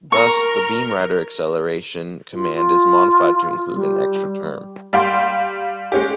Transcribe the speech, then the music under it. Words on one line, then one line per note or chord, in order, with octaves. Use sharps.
Thus, the beam rider acceleration command is modified to include an extra term.
A#4 A#5 C#6
F4
F4
G3
G3 F5 G5 C6
G#3 C#4 G4